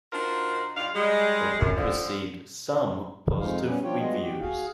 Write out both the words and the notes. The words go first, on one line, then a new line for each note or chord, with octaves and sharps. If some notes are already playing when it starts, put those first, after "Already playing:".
The book received some positive reviews.
D4 D#4 F4 F#4 A#4 C5
G2 D4 D#4 F4 F5
G3 G#3
F#2
F2 D3 F3
F2 F3 G#3 D#4 F5
G3 B3 C#4
F3 D4 F4 C#5 G5
G3 G#3 B3 F4 F#4 D#5
F#4 G4
F#4 G#4 F5